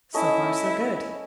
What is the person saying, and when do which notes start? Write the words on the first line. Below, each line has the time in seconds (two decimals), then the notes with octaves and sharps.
So far so good.
0.14 A3 C#4 E4 D#5